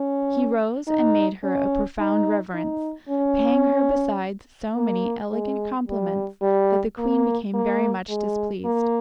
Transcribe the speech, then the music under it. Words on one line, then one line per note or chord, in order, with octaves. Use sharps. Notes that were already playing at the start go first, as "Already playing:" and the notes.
He rose, and made her a profound reverence, paying her besides so many elegant compliments, that the queen became very much displeased.
Already playing: C#4
D#4
C#4
D#4
D#4
C#4
A#3
G#3
G3
G3
A#3
A#3
G#3
A#3